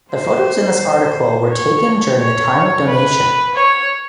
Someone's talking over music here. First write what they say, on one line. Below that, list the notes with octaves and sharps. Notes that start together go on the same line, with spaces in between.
The photos in this article were taken during the time of donation.
C5
C#5
C#5
B4
C#5